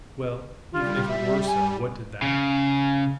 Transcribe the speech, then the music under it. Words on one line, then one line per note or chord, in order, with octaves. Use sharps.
Well, even if it were so, what did that prove!
G3 F4
E5
G#5
C#3